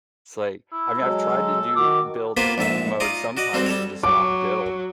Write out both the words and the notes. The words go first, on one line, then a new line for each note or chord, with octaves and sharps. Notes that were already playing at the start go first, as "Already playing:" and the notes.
It's like I mean, I've tried to do build mode sometimes and, just, not build,
E4
F#3 G#3 A4
D#3 F#4 D6
A#3 B3 F4 G4 B4 C5
A#1 G#2 A4 E5
D#4 F4 D5 D#5
F#4 D5 D#5
G3 C4 F#4 A4
G3 A4 C#5
F#3 D6